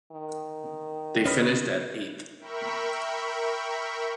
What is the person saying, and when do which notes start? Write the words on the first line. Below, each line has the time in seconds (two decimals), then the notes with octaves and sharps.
They finished at eighth.
0.12 D#3
1.26 C#4 B4 D#5 F6 B6
2.39 A#4 E5 G5 B5 C#6